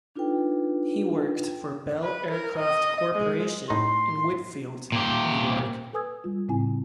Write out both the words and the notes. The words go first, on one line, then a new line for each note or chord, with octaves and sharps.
He worked for Bell Aircraft Corporation in Wheatfield, New York.
D4 D#4 F4 A4 B4 G5
B4
A#4
D#5
G#3
A2 D#4 C6
A#2 G4
A4 B4 G#5 D#6 E6 G#6
G3 F4
A2 C#3 C4 E4 G#5